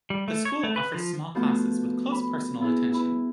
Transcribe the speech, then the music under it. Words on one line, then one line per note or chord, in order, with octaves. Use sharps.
The school offers small classes with close personal attention.
G3
A3
C#5
A3
B4
F3
F3 A3 B3 F4 F#4
B5
B3 E4 G#4
E4 B4